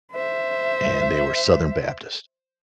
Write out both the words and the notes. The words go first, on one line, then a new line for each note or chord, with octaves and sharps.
and they were Southern Baptists.
C5 E5